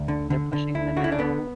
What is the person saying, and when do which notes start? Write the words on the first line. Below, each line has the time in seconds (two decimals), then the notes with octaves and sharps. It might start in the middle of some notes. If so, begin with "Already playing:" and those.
They're pushing them out.
Already playing: D2
0.08 D3
0.30 D3
0.53 D3
0.75 D2 E4
0.96 D3 F#4
1.04 E4
1.12 D4
1.19 D3 B3